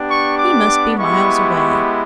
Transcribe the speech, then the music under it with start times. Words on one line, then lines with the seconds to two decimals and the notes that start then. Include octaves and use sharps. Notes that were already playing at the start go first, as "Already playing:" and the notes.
He must be miles away.
Already playing: B3 D4 G4
0.08 C#6
0.37 D6
0.97 G#3 B3 E4 G4 C#6
1.56 C#6